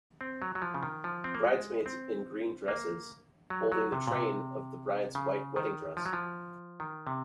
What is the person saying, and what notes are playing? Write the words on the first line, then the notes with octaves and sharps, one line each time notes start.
Bridesmaids in green dresses holding the train of the bride 's white wedding dress.
C4
F#3
F#3
F3
C#3
D#3
F3
C4
A#3
G#3
C4
A#3
F#3
F#3
C3
A#2
C3
C#3
D#3
F3
F#3
F3
D#3
C3